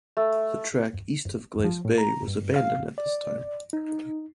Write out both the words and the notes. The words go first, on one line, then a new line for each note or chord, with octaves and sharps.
The track east of Glace Bay was abandoned at this time.
A3
F3
A2
A#5
G2
F5
D5
D#4